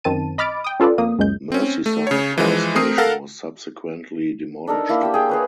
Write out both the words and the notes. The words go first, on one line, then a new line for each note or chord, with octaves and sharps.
Merseyside Power Station was subsequently demolished.
F#2 D#3 C4 A5 D#7
D#5 B5 D6 F6 A6 D7
G5 D#6
C#4 F4 A4 B4 D5
F2 A#3 D#6
C#2 F#2 G#3 G6
C4 C#4
A3
C#3 C#5
E3 F3 G#3
A3 C4 A#4 D#6 C7
A4 A#4 F5 F#5
D4 D#4 A4 A#4
A#3 E4
G4 G5 E6
G#4 G5
G#4 B4 C#5